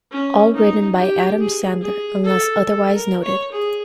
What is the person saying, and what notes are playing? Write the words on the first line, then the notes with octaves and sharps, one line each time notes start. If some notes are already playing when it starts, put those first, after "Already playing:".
All written by Adam Sandler, unless otherwise noted.
C#4
D#4
G4
G#4
G#4
A4
A4
A#4
C#5
G#4